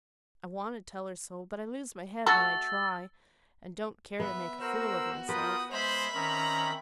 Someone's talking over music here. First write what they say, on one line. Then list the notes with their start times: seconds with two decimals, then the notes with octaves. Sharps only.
I want to tell her so; but I lose my head when I try, and don't care to make a fool of myself.
2.26 A3 F#4 A4 E6 A6
4.20 B3 E5
4.61 F#4 A#4 C5 E6
5.29 F4 A#4 B4 D#6 G6
5.71 G#3 C5 E5 B5
6.14 D#3 C4 C#4 A#5